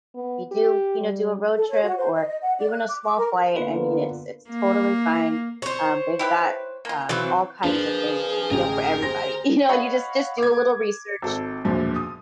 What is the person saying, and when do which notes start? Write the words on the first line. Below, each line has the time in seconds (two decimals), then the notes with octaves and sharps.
If you do, you know, do a road trip or even a small flight, I mean, it's it's totally fine. Um, they've got, uh, all kinds of things, you know, for everybody, you know? You just just do a little research
0.15 B3
0.52 G4
1.00 G3
1.56 A4
1.69 C#5
1.83 F#4
1.98 C5
2.14 D#5
2.27 D#5
2.42 F#5
2.58 D5
2.70 F#6
2.88 D6
3.03 D6
3.18 A#4
3.56 D3 A#3 B3 F4 B4
4.50 A#3
5.62 C5 C#5
6.19 E4 G4 B4
6.85 A#3 F4
7.09 E3 F#3 C4 F4
7.63 F3 D4 G#4 A#4 B4
8.51 A1 D2 G4 A#4 A#5
9.02 C5 A#6
9.69 C#5 D#5 F5 F#5 B5
10.38 D6 G#6
11.22 G#1 A4
11.65 E1 F#2 A#2 D3 F3
11.96 D#6